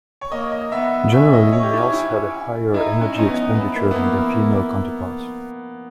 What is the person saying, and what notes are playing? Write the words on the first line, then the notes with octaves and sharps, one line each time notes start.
Generally males had a higher energy expenditure than their female counterparts.
C#5
A#3 D#5
D#5
B3 E5
C#4 E5
D#5
C#5
G4
E4
E4
D#4 E4
C#4
C#4 D#4
B3
B3 E4
A#3
B3
A#3